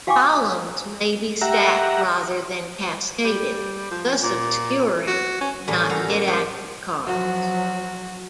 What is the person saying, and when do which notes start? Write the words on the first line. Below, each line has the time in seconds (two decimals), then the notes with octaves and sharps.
Columns may be stacked rather than cascaded, thus obscuring not-yet-active cards.
0.07 F#4 F5 G5 G#5 C#6 D6
1.41 G4 E5 F#5 A#5
3.24 G3
3.91 F3
4.23 A#2
5.07 F#4
5.41 C#4
5.67 E2 A2 G3 A3 C#4
5.90 F#4 A4 A#4 F5
6.08 A#3
6.28 G4
7.07 F3 F#3 F#4